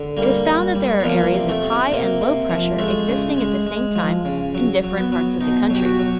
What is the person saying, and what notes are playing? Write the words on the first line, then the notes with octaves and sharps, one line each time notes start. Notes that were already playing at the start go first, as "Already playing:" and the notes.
It is found that there are areas of high and low pressure existing at the same time in different parts of the country.
Already playing: D3
G3 A#3
G3
G3
B3
F3 A#3
C3
A3
C3
C3 A#3
C3
F3
G#3 A3
C#3
G#3
G#3
F3
C#3
F#3
F#3
B3
F#3
B2 D#4
F#3 G4
F#4
F#3